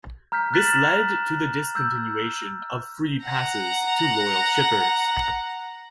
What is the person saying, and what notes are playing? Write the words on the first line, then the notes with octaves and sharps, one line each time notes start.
This led to the discontinuation of free passes to loyal shippers.
A#5 F6 G6 B6
F6 F#6 A6 B6 E7 F#7
E6 G6
F#5 A#5